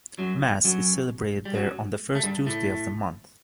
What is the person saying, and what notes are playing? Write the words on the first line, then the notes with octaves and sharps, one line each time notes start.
Mass is celebrated there on the first Tuesday of the month.
F#2 F#3
F#2 F#3
G3
F#2 F#3
A3
G2 G3
A2 A3